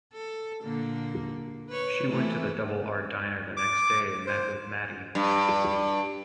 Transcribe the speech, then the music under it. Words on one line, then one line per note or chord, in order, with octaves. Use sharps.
She went to the Double R Diner the next day and met with Maddy.
A4
A#2 D3 A#3
B4 C#5
E3 A3 E4
D6
C5
G2